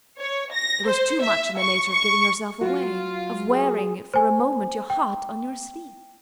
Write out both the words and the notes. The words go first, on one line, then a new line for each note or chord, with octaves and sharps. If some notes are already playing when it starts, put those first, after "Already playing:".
It was too much in the nature of giving yourself away, of wearing--if for a moment--your heart on your sleeve.
C#5
A#6
C5
E5
C#6
C#6
F#3 F4 F#4
G#4
C5 G#5
G5